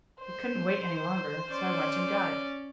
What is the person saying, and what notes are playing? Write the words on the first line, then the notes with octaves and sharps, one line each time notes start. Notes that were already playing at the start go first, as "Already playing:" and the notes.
"I couldn't wait any longer, so I went and got it."
C5
C#4 D5